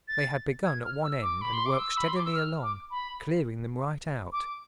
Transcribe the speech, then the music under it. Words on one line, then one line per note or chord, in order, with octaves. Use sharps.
They had begun at one end and worked steadily along, clearing them right out.
A6
G#6
F6
E6
D6
B5
C6
D6
E6
B5
C6
D6
E6
F6
D6
B5
D6